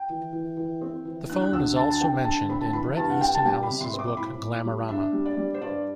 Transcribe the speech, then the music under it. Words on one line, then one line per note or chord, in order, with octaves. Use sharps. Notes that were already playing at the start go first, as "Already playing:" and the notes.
The phone is also mentioned in Bret Easton Ellis' book "Glamorama".
Already playing: G5
E3
E3
E3
C4
E3
D4 F#6
F#6
D2 E6
D4 A5
A5
C4 G5
D3 A5
C4 B5
A5
E3 B5
G2 A5
F#5
G2 G5
A5
G3 G5
B5
C3
C6
C4
D6
A2 B5
A2
G3
D4 E5
G3
D5
G3
C5
G2 D5